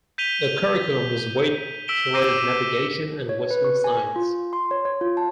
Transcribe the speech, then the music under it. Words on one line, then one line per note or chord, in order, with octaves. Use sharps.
The curriculum was weighed towards navigation and western science.
G6 B6 D#7 F7 G7
E6 B6 D7 E7 G7
D6 E6 G6 A#6 C7 D#7
C#5
B4
C#6
G#5
F4
C6
C#5
C#5
F4
A5